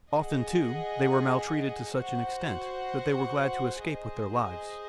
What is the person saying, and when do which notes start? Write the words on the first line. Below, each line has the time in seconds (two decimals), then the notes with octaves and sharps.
Often, too, they were maltreated to such an extent that they were glad to escape with their lives.
0.10 G#4 D#5 F#5
1.95 F#4 C5 F#5
3.80 G#4 C5 D#5